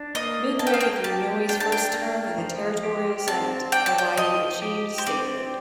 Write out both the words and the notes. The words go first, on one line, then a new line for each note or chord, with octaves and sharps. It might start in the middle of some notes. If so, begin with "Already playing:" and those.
Midway through Inouye's first term in the territorial senate, Hawaii achieved statehood.
Already playing: D4
A#3 D#5
A#3 A5
G5
F5
G5
G4 A5
D4 G5
A5
G5
A#3
F3
G4
C4 A5
D5 G5
A5
G5
F3 D#5
G4
C5
C4 D5